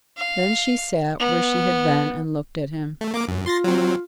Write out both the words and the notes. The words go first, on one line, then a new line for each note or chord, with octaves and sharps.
Then she sat where she had been, and looked at him.
F5
B3
A3
A#3 D6
F#2
F4 C6 A6 A#6
F#3 C4